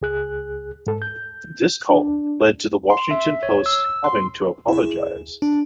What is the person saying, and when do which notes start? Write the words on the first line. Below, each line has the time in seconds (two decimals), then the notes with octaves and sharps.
This column led to the Washington Post's having to apologize.
0.02 C#2 G#4 F#6
0.87 G#2 A4
1.02 G6
1.90 D4
2.90 C6
3.11 E5
3.43 C#5
3.66 E6
4.04 C6
4.68 E4 G#4
5.42 D4